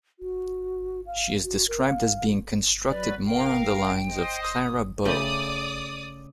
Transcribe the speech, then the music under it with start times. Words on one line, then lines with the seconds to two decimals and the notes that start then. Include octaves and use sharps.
She is described as being constructed more on the lines of Clara Bow.
0.19 F#4
1.06 F5
1.44 F#4
1.68 A#4
1.86 F5
2.89 F#3 B4 D5
3.26 A#4 F5 G5
4.09 C5 D#5
4.42 D#6
5.05 C#3 A3 D5 G5 D#6